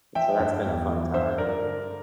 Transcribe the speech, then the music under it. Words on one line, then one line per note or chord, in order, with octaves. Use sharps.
And so that's been a fun time, and,
F3 E5 G5
G2
E2
E3
G2 C5 E5
G2 A#4 D5
D3